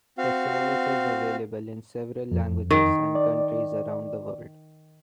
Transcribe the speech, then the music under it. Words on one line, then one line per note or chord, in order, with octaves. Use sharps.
The service is available in several languages and countries around the world.
C4 F#4 F5
F2
D#3
D5